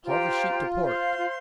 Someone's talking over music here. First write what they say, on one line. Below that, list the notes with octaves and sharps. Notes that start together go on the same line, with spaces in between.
"Haul the sheet to port!"
F4 G4 C5 G5 A#5
C5 F5 C6
F4